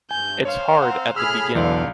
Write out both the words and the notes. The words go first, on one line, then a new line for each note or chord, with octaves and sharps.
It’s hard at the beginning.
G2 G#5 G6
C5 C#5 F5
C4 F#5 A#5
A2 G#4 B5 E6 F6
B1 E2 D3 E3 D5 F5 C6